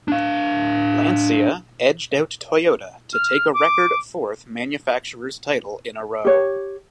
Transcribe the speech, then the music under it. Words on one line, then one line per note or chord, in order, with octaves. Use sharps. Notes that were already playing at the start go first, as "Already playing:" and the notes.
Lancia edged out Toyota to take a record fourth manufacturers' title in a row.
D4 F5
F6
D6
G4 C#5